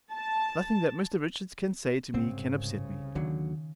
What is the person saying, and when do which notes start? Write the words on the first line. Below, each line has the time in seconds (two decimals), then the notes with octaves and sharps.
Nothing that Mr Richards can say to me can upset me.'
0.12 A5
2.14 C2 G#2 C#3 C4
3.15 D#2 D3 D#3 F#3